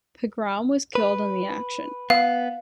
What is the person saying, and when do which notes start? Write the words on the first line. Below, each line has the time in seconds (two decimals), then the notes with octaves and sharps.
Pegram was killed in the action.
0.95 B4
2.10 B3 F5